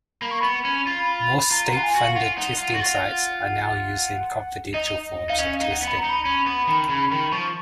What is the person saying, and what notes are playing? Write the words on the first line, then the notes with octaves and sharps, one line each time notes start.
More state funded testing sites are now using confidential forms of testing.
A#3 B5
C#6
B3 B5
C#4
F4
F4 A#5
F4 F#5
G#5
F#4
F5
F4 F#5
D#4
F4
F#4
F4
D#4 D#5
D#4 F5
C#4 D#5
F5
D#4
F#5
B3
B5
A#5
D#4
B5
C#4
B3
D#3
C#3
D#3
B5
F3 C#6